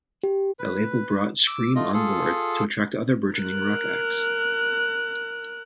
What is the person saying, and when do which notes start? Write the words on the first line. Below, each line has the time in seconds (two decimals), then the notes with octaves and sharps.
The label brought Scream on board to attract other burgeoning rock acts.
0.23 G4
0.59 B4
1.47 D6 E6
1.76 A3 F4 D#5
1.94 F4 G#4 A4
3.37 A#4 F#6